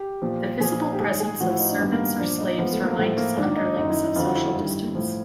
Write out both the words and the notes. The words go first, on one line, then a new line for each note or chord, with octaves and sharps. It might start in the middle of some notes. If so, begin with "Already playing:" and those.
The visible presence of servants or slaves reminds underlings of social distance.
Already playing: G4
A#2 F3
A#2 F3 G#4
G4
G#2 D#3 G#4
G#4
A2 F3 F#4
E4
D#4
D4
G2 D#3 B3
A#3
A#2 F3 D4
D#4
G#2 F3 B3
A3
A#3
A2 F3 A3
A#3
G#2 D#3 D4
D#4
F#2 D#3 D#4
E4
E4
F2 D3 F3 F4
F#4
E4
E4
G2 D#3
A2 F3